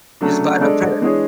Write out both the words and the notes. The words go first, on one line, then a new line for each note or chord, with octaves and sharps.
You just buy it on credit,
C#3 F#3 A3 D4
G#3 D4 A4 D5
E3 G#3 D4 G#4 C#5